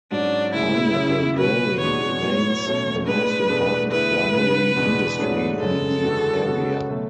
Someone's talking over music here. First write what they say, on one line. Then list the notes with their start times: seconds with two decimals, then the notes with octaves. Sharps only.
Pineapple growing remains the most important primary industry in the area.
0.11 G#2 F#3 C#4 D4
0.53 D2 C#3 G#3 E4
0.96 C#3 F#3 C#4 G#4
1.38 B2 F#3 B3 F#4 B4
1.81 E2 B2 G#3 D4 F#4 C#5
2.23 A2 F#3 B3
2.65 B2 F#3 A3 C#4
3.06 A2 G#3 D4 B4
3.49 E2 B2 A3 D4 G#4
3.91 D2 D3 A3 E4 G#4 B4
4.33 C#2 C#3 F#3
4.76 E2 B2 G#3 D4
5.18 G#2 F#3 A3 D4 G#4
5.60 F#2 C#3 G#3 A4
6.03 E2 D3 G#3 B3 F#4
6.45 C#3 G#3 B3 F#4
6.88 B2 F#3 A3